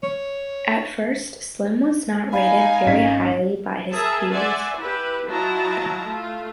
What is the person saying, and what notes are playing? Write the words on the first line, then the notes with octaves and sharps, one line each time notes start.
At first Slim was not rated very highly by his peers.
C#5
D#4 F5 G#5 B5
G#1 C#4 D#5 B6
G#4 A#4 E5 A5
D5 E5 F#5 G#5 C6
E4 G4 B4
F#3 E4 F4 D#5 A5 A#5
A3 F4